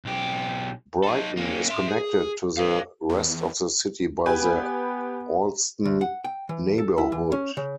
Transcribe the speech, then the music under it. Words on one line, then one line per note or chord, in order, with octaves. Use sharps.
Brighton is connected to the rest of the city by the Allston neighborhood.
B1 G4
D#4 A4
A#3 C#4
E5 C6
G#4
B4 F5
E2
B3 G4 B4 G#5
D2
F#5
G5
E3
A4
E4
E3
C#4
C#3